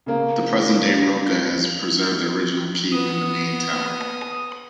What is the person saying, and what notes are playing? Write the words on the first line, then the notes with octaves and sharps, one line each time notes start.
The present-day Rocca has preserved the original keep and the main tower.
C#3 A#3
B3 D#6